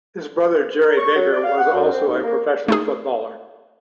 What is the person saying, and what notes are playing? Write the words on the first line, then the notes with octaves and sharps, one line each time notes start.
His brother Gerry Baker was also a professional footballer.
A#4
C#6
F#3
D5
F5
F#5
F#2
C4
D#2
A#3
A3 D#4 G#4